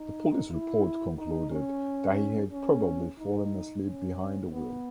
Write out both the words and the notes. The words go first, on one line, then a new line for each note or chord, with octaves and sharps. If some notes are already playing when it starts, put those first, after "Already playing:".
The police report concluded, that he had probably fallen asleep behind the wheel.
Already playing: D#4
E4
D#4
C#4
C#4
D#4
C#4
B3